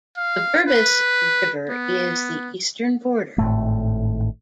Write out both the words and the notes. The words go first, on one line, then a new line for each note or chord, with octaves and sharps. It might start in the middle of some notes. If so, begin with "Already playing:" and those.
The Berbice River is the eastern border.
F5
B4
B3
G#1 A2 A3